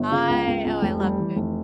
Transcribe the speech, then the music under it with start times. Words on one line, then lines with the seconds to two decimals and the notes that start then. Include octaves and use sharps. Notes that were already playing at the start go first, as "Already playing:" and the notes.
I Oh, I love food.
Already playing: G1
0.11 C#3 F4 F5
0.29 C#2
0.47 C#2
0.65 C#2
0.82 F1
1.00 G3
1.19 E3
1.36 F1